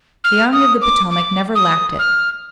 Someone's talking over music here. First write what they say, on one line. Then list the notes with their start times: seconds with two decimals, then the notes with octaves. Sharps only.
The Army of the Potomac never lacked it.
0.24 F6
0.53 D#6
0.82 D6
1.11 D6
1.55 D#6
1.99 F6